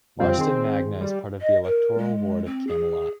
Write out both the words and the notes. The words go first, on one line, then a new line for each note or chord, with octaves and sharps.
Marston Magna is part of the electoral ward of Camelot.
F2 G3 C4 F4
D#3 G#4 C6
G3
D#5
A#4
G#3
C4
G#4